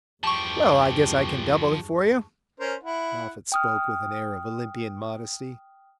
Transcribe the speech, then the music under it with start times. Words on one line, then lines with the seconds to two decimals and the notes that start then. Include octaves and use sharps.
"Well, I guess I can double it for you." Moffatt spoke with an air of Olympian modesty.
0.23 E2 G2 F3 G4 A5 C#6
2.60 C#4 A#4 C5
2.83 E4 F#5
3.52 G5 D#6 F6